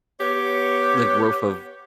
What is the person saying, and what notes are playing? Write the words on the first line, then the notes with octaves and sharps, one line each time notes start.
the growth of
B3 G4 C#5